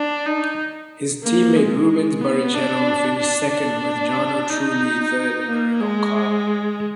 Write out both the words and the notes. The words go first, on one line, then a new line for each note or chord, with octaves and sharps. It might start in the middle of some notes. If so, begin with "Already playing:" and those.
His teammate Rubens Barrichello finished second with Jarno Trulli third in a Renault car.
Already playing: D4
D#4
A#3
G#3
B3
D4
D4
D4
D#4
A#3
G#3